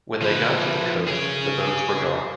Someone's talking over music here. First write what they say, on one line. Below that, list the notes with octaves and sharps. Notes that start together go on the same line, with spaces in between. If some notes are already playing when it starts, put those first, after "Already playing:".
When they got to the coast, the boats were gone.
F3 B4
G#4 C#5